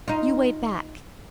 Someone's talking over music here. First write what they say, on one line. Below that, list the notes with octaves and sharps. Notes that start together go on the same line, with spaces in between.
You wait back.
D#4 F4